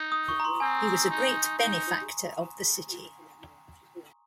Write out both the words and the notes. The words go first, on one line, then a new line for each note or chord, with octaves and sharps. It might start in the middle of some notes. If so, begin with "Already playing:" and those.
He was a great benefactor of the City.
Already playing: D#4
D#6
C#6
A#5
C6
C4 G#5
D#4
D#4